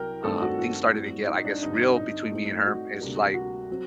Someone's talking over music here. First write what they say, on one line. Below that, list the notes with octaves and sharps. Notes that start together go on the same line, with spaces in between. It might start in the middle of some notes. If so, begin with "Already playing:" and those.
uh, things started to get, I guess, real between me and her, it's, like
Already playing: C2 C3 F#3 A#4 G5
G2 D#3 A3 C4 A4
F#4
F#4
A2 G3 C4
D#4
D4
G2 D3 G3 C4 D#4
D#4
A2 A3 C4
F#4
D2 C3 G3 A#3
F#4
F#3 C4